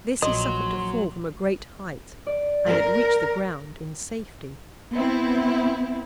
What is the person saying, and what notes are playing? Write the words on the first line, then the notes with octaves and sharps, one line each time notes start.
This he suffered to fall from a great height, and it reached the ground in safety.
A#1 F#3 D#5 C6
D5
A#4
B3 C4 E4